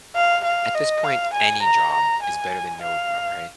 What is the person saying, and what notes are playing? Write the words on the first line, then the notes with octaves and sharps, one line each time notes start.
at this point, any job is better than no job, right?
F5
F5
D#5
F5
G#5
A#5
A#5
G#5
F5